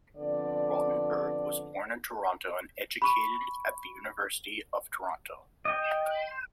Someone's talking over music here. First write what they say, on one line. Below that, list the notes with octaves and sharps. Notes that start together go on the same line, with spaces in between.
Rotenberg was born in Toronto, and educated at the University of Toronto.
F2 D3 B3 D5
B5 C#6 D#7
D#5 G5